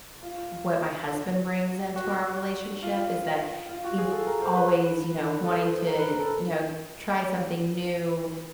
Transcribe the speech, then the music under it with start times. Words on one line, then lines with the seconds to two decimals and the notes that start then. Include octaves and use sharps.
what my husband brings into our relationship is that he's always, you know, wanting to, you know, t try something new,
0.23 F4
1.96 F#4
2.83 F4
3.69 F4
3.85 F#4
3.98 G#4
4.12 A4
4.27 A#4
4.42 C5
4.56 B4
5.43 A4
5.57 B4
5.72 C5
5.87 A#4
5.98 B4
6.09 A#4
6.20 A4